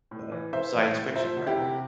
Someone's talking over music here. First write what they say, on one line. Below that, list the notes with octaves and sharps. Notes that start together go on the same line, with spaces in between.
the science fiction writer,
A2
E3
E3 C5 E5
A1
A2
F3 C5 E5
D2
E4 G4
C3